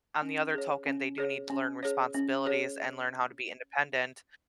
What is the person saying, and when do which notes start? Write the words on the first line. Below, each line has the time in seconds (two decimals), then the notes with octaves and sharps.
on the other token, they do need to learn responsibilities and learn how to be independent,
0.22 C#4
0.54 G#4 C#5
0.86 C#4
1.18 G#4 C#5
1.50 C#4
1.83 G#4 C#5
2.14 C#4
2.46 G#4 C#5